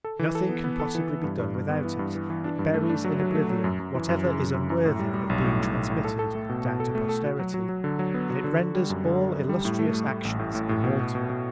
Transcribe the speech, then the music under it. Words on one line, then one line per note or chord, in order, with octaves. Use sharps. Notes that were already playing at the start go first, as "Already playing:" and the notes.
Nothing can possibly be done without it; it buries in Oblivion whatever is unworthy of being transmitted down to Posterity; and it renders all illustrious Actions immortal.
A4
E3
A4
B3
B3
A4
E3
E3
G2
G2
G2
B3
E3
G2
E3
E3
D4
G2
A3
D4
F#3
F#3
A3
F#3
F#2
F#2
E3
F#2
C#3
F#2
F#2
F#2
A2
G3
G3
B1
A2
A2
A2
A2
A4
A4
A3
B2
B2
A4
A3
A4
F#4
F#3
F#3
F#3
D3
F#3
B3
F#4
D3
D3
G3
F#2
D3
G3
F#2
G3
A2
A3
A3
A3
A1
A2
A2
A2
B2
B2
B2
B2